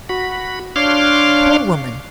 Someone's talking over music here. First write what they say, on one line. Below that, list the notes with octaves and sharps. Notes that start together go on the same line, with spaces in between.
"Poor woman!"
F#4 B5
D4 C#5 F5 C6 D6 F6